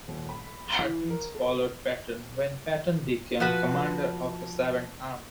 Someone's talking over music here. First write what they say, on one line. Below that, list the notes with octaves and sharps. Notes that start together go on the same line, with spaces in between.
Harkins followed Patton when Patton became commander of the Seventh Army.
D#1
B5
E3
A#4
A4
F3 F#4 B4